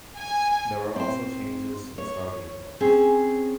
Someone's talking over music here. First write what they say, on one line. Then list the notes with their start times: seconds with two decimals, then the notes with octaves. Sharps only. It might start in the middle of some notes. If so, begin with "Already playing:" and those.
There were also changes to the Stargate device.
0.16 G#5
0.96 C4 C5
1.98 C#5
2.80 C4 C#4 G#4